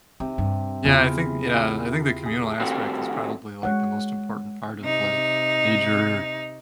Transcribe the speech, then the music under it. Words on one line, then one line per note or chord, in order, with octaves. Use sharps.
Yeah, I think yeah, I think the communal aspect is probably, like, the most important part of, like, major,
C3 D#4
G2
E2 C#3 E4 F4 G#4
G#4
D#3 F3 G3 A3 C4 F#4
G#3 C#5 F#5
C3 D#4